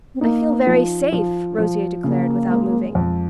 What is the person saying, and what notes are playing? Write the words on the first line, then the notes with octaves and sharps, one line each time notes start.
"I feel very safe!" Rosier declared without moving.
C4
A#3 D#4
F3
F3
F3
C#3 A#3
G#3
F2